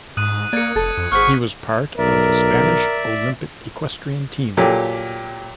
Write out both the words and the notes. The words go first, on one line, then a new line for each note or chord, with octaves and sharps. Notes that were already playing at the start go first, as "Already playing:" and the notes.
He was part of the Spanish Olympic equestrian team.
G#2 D#6 F#6 D#7
A#3 A#4 D5 G#6 C#7
F1 A4
F2
G#1 G#4 C5 F#5 C#6 F6 B6
B1 A#4 D5 E5
A#2 F#3 G4 A4